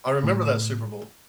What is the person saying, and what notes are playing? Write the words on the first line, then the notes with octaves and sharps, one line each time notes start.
I remember that Super Bowl.
A2